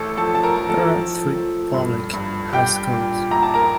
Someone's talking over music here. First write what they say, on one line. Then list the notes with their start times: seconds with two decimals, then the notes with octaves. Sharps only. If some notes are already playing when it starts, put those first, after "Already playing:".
There are three public high schools.
Already playing: A1 A3 A4
0.17 F3 A4 A5
0.35 A5
0.43 A#4 A#5
0.57 F3
0.70 A4 A5
0.96 F3
1.35 F3
1.74 G2
2.13 G2
2.53 G3 G4 G5
2.92 A#2
3.31 A#1 A#5
3.43 A5
3.54 A#4 A#5